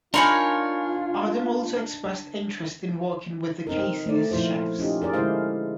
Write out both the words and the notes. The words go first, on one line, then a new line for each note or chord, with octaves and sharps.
Adam also expressed interest in working with The Kaiser Chiefs.
D4 D#4 F4 A#4 C#5 G#5 B5 C6
C4 D#4 A#4
A3 D5
A#2 F3 E4 F4 C5
C#4 D#4 F4 G4
G#4 A#4 D5
D3 G#3 D4 E4 C5 F5